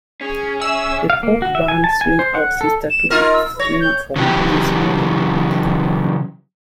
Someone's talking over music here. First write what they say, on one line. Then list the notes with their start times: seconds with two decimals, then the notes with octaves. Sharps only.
The pop band Swing Out Sister took its name from this movie.
0.21 C#4 G#4
0.62 G#4 E5 E6
1.10 F5
1.23 A#3
1.42 F#4
1.55 E5
1.68 G#5
1.84 A5
2.01 G#5
2.19 C5
2.35 F#5
2.61 A4
2.90 E7
3.10 D#4 F4 A#4 F6
3.33 E6
3.59 C#5 A#6
3.80 G6
4.16 C#3 E3 F#3 G4